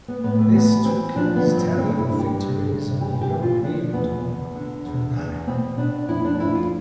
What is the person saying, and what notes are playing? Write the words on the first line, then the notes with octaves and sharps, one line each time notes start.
This took his tally of victories on the European Tour to nine.
B3
A2 B3
A3
E3 B3
E3 C4
F3 D4
B3
G2
C4
G2 C4
E4
D3
G4
G2
G2
E3 G4
G4
E3
F4
F3 D4
E2 B3
E2
D3
E2
E2
B2 C4
B2 D4
F2 E4
D4
F2 E4
F4